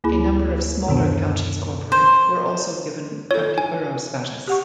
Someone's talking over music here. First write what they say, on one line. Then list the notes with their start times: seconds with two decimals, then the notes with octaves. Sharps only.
A number of smaller counties corporate were also given county borough status.
0.04 D2 A#3 E4 G#4 B5
0.87 F#2 B2 D3 D#3 B3 D4
1.92 C5
3.31 F4 A4 C#5
3.58 G#5
4.47 G4 F#5 C#6